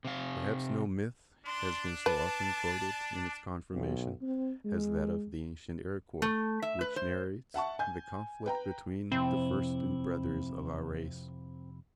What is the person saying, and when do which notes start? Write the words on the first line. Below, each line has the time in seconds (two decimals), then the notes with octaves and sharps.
Perhaps no myth has been so often quoted in its confirmation as that of the ancient Iroquois, which narrates the conflict between the first two brothers of our race.
0.05 C3 F5
1.46 D4 C6
2.06 B4 A5
3.74 B1
4.22 C4
4.65 G#3
6.22 A3
6.62 E5
6.81 B4
6.96 C5
7.54 E5 F#5 A5 C#6
7.79 G#5 G6
8.46 B4 G5 A#5
9.12 F2 C3 C4 E4